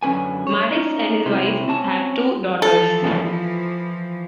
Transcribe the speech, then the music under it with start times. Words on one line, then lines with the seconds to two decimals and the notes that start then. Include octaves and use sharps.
Maddux and his wife have two daughters.
0.03 F#2 D3 C#4 B4 G#5
0.47 C#5
0.71 C#4 D#4
1.26 C3 E4 C5
1.68 C4 C#4 A5
2.62 E3 F3 A4